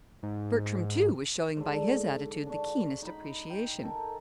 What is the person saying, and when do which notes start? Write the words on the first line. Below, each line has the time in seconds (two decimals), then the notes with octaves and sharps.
Bertram, too, was showing by his attitude the keenest appreciation.
0.23 G#2
1.57 G#2 D3
2.46 D4 C#6
2.66 F#4
3.02 D#4 B5
3.50 G5
3.83 A4 A#4 G5 G#5